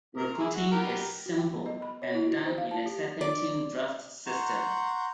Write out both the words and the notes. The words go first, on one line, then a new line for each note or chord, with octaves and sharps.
Recruiting is simple and done in a serpentine draft system.
A#4
E4 G#4
F#4
B3 G4 A#4
F#4
G5
B3
D#5
B5
C#5
E4
F#4
C5
F5
A5
G4
D5
F#5 A#5 C6 C#6 G6